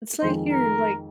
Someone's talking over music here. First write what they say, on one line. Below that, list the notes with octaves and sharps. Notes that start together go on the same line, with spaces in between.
It's like you're like
F2 D#3 G#3 C5
A#4